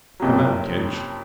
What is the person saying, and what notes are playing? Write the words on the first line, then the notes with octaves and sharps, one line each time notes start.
Come out, Kinch.
F#1 F2 C3 F#3